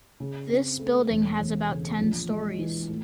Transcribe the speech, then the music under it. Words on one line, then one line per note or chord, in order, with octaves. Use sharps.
This building has about ten storeys.
C#3
C4
A3
E1
E1
C#3
A#1
G#3
E3
A2